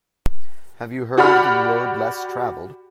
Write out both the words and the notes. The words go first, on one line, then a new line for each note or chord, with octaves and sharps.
Have you heard of The Road Less Travelled?
F#4 G4 D5 F#5 B5 F6